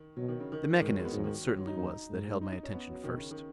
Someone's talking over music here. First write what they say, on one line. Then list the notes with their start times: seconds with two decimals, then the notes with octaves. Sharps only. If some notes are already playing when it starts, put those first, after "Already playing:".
The mechanism it certainly was that held my attention first.
Already playing: D#3
0.16 B2 F#3
0.28 D#3
0.40 C#3
0.52 D#3
0.81 G#2 D#3
0.89 F#3
0.97 G#3
1.05 B3
1.13 G#2 F#3
1.24 D#3
1.34 D#3
1.46 F#3
1.56 F#3
1.67 D#4
1.77 F#2 D#4
2.10 G#2
2.41 D#4
2.52 D#4
2.63 C#4
2.73 B3
2.89 F#3
3.03 B2 D#3
3.17 C#3
3.31 D#3